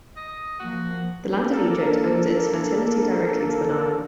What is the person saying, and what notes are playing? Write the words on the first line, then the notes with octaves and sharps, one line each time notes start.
The land of Egypt owed its fertility directly to the Nile.
D#5
F3 A#3 F#4
A#3 D4 A4 A#4